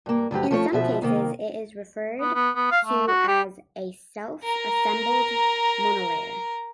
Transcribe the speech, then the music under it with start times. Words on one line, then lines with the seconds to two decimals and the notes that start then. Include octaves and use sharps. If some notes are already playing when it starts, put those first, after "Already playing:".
In some cases it is referred to as a self-assembled monolayer.
0.06 G2 A#3
0.31 D2 G2 F#3 G4
0.51 F3 A3 C#5
0.72 D2 B2 F3 E5
1.02 C3 D#3 A#3
2.21 B3
2.35 B3
2.56 B3
2.71 F5
2.85 A3
3.08 F#4
3.28 G4
4.43 A#4 A#5